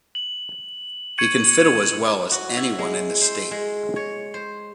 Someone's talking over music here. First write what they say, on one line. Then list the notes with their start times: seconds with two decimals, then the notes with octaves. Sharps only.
He can fiddle as well as anyone in the State.
0.15 F#7
1.18 C#6 G#6 C#7 D#7 F#7
2.32 F#4
2.57 E4
2.79 G#3
3.21 C5
3.51 G#3
3.96 C#5
4.34 C5